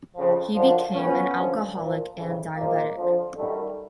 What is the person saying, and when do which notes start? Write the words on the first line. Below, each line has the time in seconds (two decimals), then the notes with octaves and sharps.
He became an alcoholic and diabetic.
0.14 F2 C#3 F3
0.54 F#2 D3 F3
0.94 A2 F3 B3 C#4
1.34 G2 D3 F3
1.75 A#2 F3
2.15 F2 C#3 E3
2.55 A#2 F3 G#3 A#3
2.96 F2 D3 F3
3.35 F#2 D#3 G3 A3